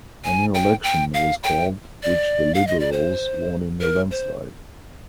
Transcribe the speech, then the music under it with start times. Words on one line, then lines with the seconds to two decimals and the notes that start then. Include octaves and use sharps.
A new election was called, which the Liberals won in a landslide.
0.24 G#5
0.54 G5
0.84 G5
1.14 F5
1.43 G5
2.03 D5
2.55 F5
2.67 D#5
2.80 D5
2.92 C5
3.81 A#4
4.11 C5